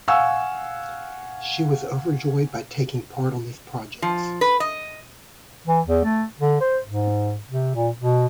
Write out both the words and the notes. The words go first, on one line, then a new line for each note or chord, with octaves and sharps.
She was overjoyed by taking part on these projects.
F5 F#5 G#5 C#6 E6
F3
B4
D#5
E3
E2
A3
D3
C5
G#2
C3
A#2
B2